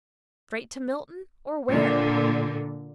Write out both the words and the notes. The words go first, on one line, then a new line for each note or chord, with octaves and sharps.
Straight to Milton, or where?
A#2 D3